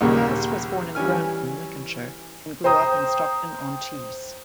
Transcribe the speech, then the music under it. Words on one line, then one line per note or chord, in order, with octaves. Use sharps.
Cass was born in Grantham, Lincolnshire, and grew up in Stockton-on-Tees.
A#1 D#2 C#3 G3 A#3 C#6
E3 G3 C#4 G#5 F6
C5 G5 A#5 D#6 G6